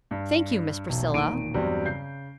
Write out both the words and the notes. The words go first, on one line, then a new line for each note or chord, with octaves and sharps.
"Thank you, Miss Priscilla."
G2
E1 B1
E1 A#2 D#3 D7 D#7
E2 G2 F#3 G3 C4
C#3 G6 C7